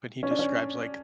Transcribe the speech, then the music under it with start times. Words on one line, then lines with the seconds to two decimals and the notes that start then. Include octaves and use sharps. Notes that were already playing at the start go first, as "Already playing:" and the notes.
When he describes, like,
0.23 C#4
0.31 D4
0.39 C#4